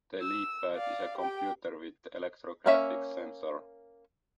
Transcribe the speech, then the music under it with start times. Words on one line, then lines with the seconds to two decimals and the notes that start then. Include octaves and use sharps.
The LeapPad is a computer with electrographic sensor.
0.22 E6
0.74 D5 F5
1.17 G4 G5
2.66 A#3 C#4 E5